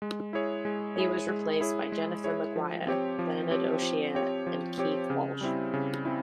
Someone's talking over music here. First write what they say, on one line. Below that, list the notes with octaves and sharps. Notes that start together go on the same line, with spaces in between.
He was replaced by Jennifer Maguire, Bernard O'Shea and Keith Walsh.
G#3
E4 G#4 C#5
G#3
E4 G#4 C#5
G#3
E4 G#4 C#5
G#3
E4 G#4 C#5
F3
C4 G4 C#5
F3
C4 G4 C#5
F3
C4 G4 C#5
F3
C4 G4 C#5
C#3
G3 C4 E4
C#3
C4 E4